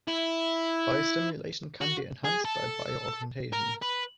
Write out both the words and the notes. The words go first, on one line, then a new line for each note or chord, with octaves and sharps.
Biostimulation can be enhanced by bioaugmentation.
E4
F#4
G#4
A4
A#4
B4